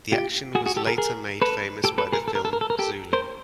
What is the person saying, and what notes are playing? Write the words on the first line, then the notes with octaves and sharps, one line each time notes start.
The action was later made famous by the film "Zulu".
F4 G4
F#4 G#4
F#4 G#4
G4 A4
G#4 A#4
G#4 A#4
A4 B4
G4 A4
A4 B4
G#4 A#4
A4
A#4
A4
A#4
A4
A#4
G4 A4
A#4 C5